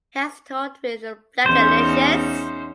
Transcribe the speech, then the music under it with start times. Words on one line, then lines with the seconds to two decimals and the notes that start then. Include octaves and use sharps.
He has toured with Blackalicious.
1.46 E2 C#4 D#4 C5